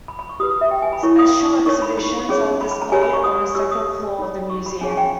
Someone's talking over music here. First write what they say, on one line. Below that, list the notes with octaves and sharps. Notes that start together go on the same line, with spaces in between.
Special exhibitions are displayed on the second floor of the museum.
B5
B5
C#6
G4 B4 D#6
D#6
E5
G5
G#5
B5
E4 A#4 C#5 C#6
D#6
D#4 A#4 C#5 C#6
B5
B5
C#4 G#4 C#5
B5
B5
A#5
G4 A#4 C#5 G#5
B5
C#6
D#6
G4 C#5 E6
D#6
D#4 A#4 C#5
C#6
B5
C#4 G#4 C#5 G#5
G#5
G5